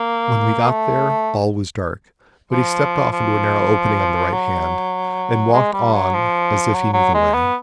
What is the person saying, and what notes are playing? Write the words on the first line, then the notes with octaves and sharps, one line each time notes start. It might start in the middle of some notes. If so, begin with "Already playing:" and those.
When we got there all was dark, but he stepped off into a narrow opening on the right hand, and walked on as if he knew the way.
Already playing: A#3
A3
F3
F3
F#3
G#3
G3
F#3
F3
F#3
F#3
G#3
B3